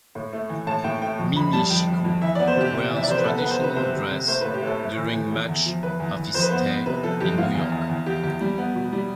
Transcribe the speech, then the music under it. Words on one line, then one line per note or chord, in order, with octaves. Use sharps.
Mimi-Siku wears traditional dress during much of his stay in New York.
A2
A3
E3
A2 A5
A2 G5
A3 G5
F2
F2 B5
G3 A5
F2 G5
F2
F2
E3 E5
B3 D5
C5
C3 G4
C3 G4
E3
E5
D5
C3 C5
B4
B3 A4
B3 B4
C5
C3 B4
C3 C5
C3
C3
A3 C5
B4
A2
G4
A2 A4
A3
E3
E3
E2
E2
F3
E2 B4
E2
E2
F2 C5
B4
B3 C5
B3
C3 B4
F3 A4
F2 G4
B3 F4
E2
E2
E2
E2 G4
E2 G4
G3
B3
B2
G3